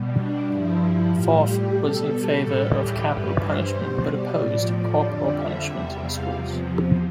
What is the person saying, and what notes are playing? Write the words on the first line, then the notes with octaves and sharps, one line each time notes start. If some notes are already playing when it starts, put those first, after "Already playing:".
Forth was in favour of capital punishment, but opposed corporal punishment in schools.
Already playing: B2 G3
D4
G2 F3 E4
A2 G3 F4
G4
B2 G3 A4
A2 E3 G3
G4
G2 E3 G3 B4
C5
B2 G3
D5
A2 F3
D5
F2 D3 G3
E5
E2 C3 G3 E5
F5
E2 C3 F3